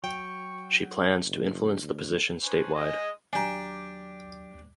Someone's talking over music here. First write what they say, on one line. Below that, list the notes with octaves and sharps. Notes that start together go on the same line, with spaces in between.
She plans to influence the position statewide.
F#3 G5 C#6
F#1
D2
C#4 D4 B4 C5 G#5
G#3 D#5
D#2 F#3 D4 G4 G#5 A#5